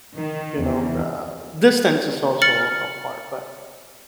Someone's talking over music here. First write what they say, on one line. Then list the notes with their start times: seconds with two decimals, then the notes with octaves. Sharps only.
you know, the distance is also a part, but
0.15 D#3
0.60 E2
2.42 F6 A6 C#7 F#7